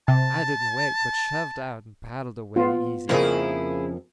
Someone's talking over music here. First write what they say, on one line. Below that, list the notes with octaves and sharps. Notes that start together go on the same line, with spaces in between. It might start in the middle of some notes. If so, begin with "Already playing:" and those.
I didn't wait, but shoved out and paddled away easy.
C3 A5
B3 F4
F2 C#3 F3 A#3 E4 G#4 A#4